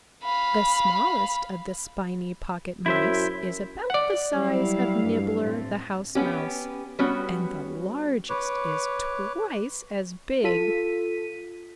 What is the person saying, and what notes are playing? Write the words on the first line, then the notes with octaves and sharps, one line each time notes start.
The smallest of the Spiny Pocket Mice is about the size of Nibbler the House Mouse and the largest is twice as big.
F5 B5
F#2 E4 C5 E5
D5 F#5
F#3 G3 E4 F5
G2
A2 A3 C4
B3 C#4 G4
G3 B3 C#4 F#4
B4 C#5 D6
F4 A4 B6 D#7